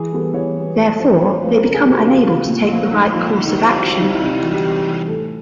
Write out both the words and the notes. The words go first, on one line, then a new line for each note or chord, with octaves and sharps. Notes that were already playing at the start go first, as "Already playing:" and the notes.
Therefore, they become unable to take the right course of action.
Already playing: E3 G#4
G3 B3 A4
E3 C#5
G3 B3
A2
F3 A3 C4
A2 C#5
C5
F3 A3 C4 B4
A#4
C#3 A#4
G#4
F#3 A3 C4 G4
F#4
C#3 F4
F#4
F#3 A3 C4 F4
A#2 F4
F3 A3 F4
A#2 D#4
F3 A3 D#4
D#3
D#4
G3 C4 E4
F4
D#3 F#4
F4
G3 C4 D#4
E4
C3 D#4
E4
E3 G3 F#4
G4
C3
E3 G3
A2 A4